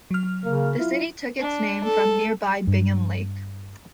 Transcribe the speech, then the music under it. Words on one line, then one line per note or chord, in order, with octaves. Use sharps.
The city took its name from nearby Bingham Lake.
F#3 F6
C#3 A#3
E4 F4
D4
A4
G2